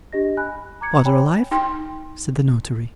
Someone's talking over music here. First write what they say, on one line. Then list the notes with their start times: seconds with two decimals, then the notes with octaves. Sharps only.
'Father alive?' said the Notary.
0.12 D4 G4 D#5 A#6
0.37 G#5 B5 F#6
0.81 A#5 D6 G#6 C#7
1.05 C#5 G5 G#5 B5
1.51 D#4 G5 C6